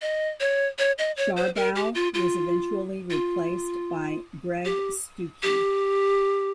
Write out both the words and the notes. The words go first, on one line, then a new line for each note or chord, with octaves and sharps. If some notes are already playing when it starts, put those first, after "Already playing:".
Sharbough was eventually replaced by Greg Stukey.
D#5
C#5
C#5
D#5
C#5
C5
A#4
G4
F4
F4
F4
G4
G4